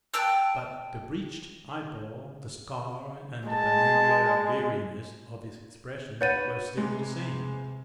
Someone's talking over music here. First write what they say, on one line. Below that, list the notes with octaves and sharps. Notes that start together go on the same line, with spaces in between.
But the bleached eyeball, the scar, and the familiar weariness of his expression were still the same.
G5 A5 E6 F#6
G#3 A5
B4 C#5 F#5 G6 A6 D#7
C3 G#3